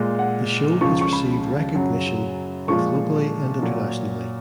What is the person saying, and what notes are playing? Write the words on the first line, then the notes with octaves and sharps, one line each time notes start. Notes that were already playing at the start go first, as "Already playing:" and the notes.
The show has received recognition both locally and internationally.
Already playing: A#2 G#3
F#5
C#2 C#3 F3 C#6
C#6
B5
F#2 C#3 F#3
A#2 F3 G#3 C#6
A#2 F#3